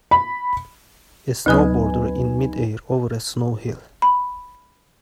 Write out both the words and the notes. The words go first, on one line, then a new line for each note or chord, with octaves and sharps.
A snowboarder in midair over a snow hill.
B5
D2 F#3 D#4 B4 G#5 D#6
B5